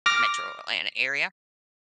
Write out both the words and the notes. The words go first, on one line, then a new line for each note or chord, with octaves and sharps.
Metro Atlanta area,
D6 F6 A#6